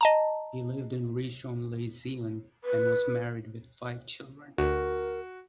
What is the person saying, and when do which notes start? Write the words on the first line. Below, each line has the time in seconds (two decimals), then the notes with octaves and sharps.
He lived in Rishon LeZion and was married with five children.
0.01 D#5 A5 A#5
2.64 B4
4.58 D2 F#4 A#4